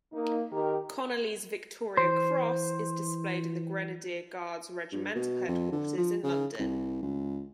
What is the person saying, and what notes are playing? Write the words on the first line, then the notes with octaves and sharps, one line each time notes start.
Conolly's Victoria Cross is displayed at The Grenadier Guards Regimental Headquarters in London.
A#3 D#4
D#3 G4 A#4
E3 C5
G2
B2
F2
D3
F3
C#3
C2
C#2